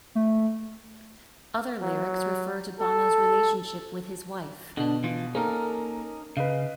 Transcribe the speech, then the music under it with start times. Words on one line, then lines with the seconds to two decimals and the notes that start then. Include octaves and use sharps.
Other lyrics refer to Bono's relationship with his wife.
0.15 A3
1.82 F#3
2.80 A4
4.77 B2 D3 D4
5.04 E3 F4
5.35 A#3 C#4 D#4 A4 A#4
6.37 C#3 B4 D#5 F5